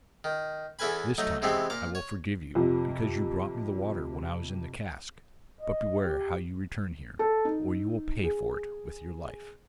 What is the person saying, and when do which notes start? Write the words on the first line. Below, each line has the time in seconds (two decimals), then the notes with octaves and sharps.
'This time I will forgive you, because you brought me the water when I was in the cask; but beware how you return here, or you will pay for it with your life.'
0.24 D#3
0.79 E2 E3 A4 B4 G#5 B5
1.18 F#3 A3 D#4
1.42 C3 E3 G#3 B3 C4
1.70 A#2 A#5 D6
1.95 C#5
2.55 F2 C3 F3
5.61 D#5
6.02 G4
7.19 A4
7.45 D#4
8.24 G#4